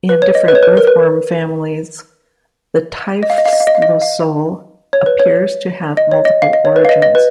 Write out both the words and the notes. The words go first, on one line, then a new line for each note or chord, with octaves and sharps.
In different earthworm families, the typhlosole appears to have multiple origins.
B4
C#5
D#5
B4
C#5
B4
A#4
B4
D#5
F5
D#5
F5
D#5
F5
D#5
F5
D#5
F5
C#5
B4
C#5
D#5
C#5
D#5
F5
D#5
C#5
B4
F5
D#5
D#5
B4